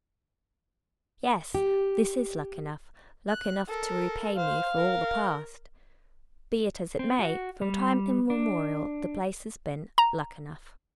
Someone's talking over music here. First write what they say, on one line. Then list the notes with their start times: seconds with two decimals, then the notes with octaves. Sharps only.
"Yes, this is luck enough! luck enough to repay me for all the past!" Be it as it may, from time immemorial the place has been "Luckenough."
1.55 G4
3.28 F#6
3.68 A4 A#4
4.36 C5 F5
4.77 A#4
6.99 C4
7.19 F#4
7.62 G3
8.30 D4
9.98 A#5